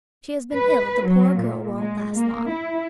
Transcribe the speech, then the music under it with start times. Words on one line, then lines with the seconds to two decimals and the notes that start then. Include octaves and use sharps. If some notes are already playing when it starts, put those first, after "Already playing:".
"She has been ill; the poor girl won't last long."
0.55 B4
1.06 F#3
1.38 A#2
1.79 G#3
2.16 A#3
2.51 E4